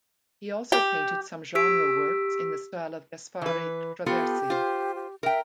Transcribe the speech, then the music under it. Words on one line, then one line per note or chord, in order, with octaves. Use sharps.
He also painted some genre works in the style of Gaspare Traversi.
G4
G4 E6 B6 D7
E3 B4
B3 F4 G4 A4
F4 C5
G4
A#4 E5 G5